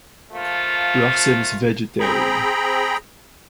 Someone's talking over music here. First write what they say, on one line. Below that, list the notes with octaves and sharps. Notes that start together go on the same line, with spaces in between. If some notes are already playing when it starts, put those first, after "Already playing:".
Roxen is vegetarian.
F3 A3 A#3 F4
C4 G#4 G5 A#5 B5